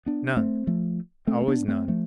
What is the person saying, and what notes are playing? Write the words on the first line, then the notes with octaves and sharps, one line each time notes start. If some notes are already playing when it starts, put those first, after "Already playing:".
None--always "none."
B3 D4
A3 C4
F3 A3
A3 C4
C4
B3 D4
A3 C4
F3 A3